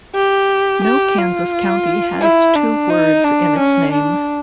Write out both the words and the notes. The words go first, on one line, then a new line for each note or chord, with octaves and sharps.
No Kansas county has two words in its name.
G4
G4
F4
E4
D4
D#4
D4
C#4
D4